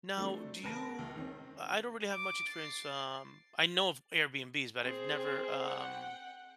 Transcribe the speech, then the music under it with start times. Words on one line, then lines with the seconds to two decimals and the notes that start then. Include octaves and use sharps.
Now, do you I don't really have much experience, um, I know of Airbnbs, but I've never, um,
0.17 F#3 G3 A3 C4 D4
0.63 C#3 A#4 B4 A5 A#6 D7
0.99 C#2
1.16 D#3 C4 C#4
2.13 D6
2.49 A6 C7
4.82 C4 G#4
5.64 F#5 G5